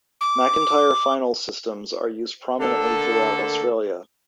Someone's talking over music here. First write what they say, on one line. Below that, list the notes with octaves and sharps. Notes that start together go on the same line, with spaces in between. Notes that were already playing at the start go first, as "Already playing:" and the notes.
McIntyre finals systems are used prominently throughout Australia.
D6
D3 A3 A#3 A4